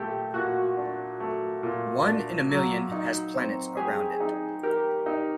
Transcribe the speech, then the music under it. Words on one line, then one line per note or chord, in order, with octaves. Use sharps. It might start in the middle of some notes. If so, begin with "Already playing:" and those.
One in a million has planets around it.
Already playing: A#2 A3 G4
A#2 F#4
D4
A3
A#2
D4
F#3
D#4
C4
G4 G#4
D#4
G4 A#4
D#4 G4